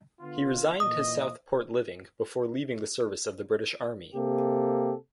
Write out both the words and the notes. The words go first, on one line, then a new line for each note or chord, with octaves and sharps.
He resigned his Southport living before leaving the service of the British Army.
D3 B3 F4
A#2 E3 D#5 D#6
C3 A#3 G4 A4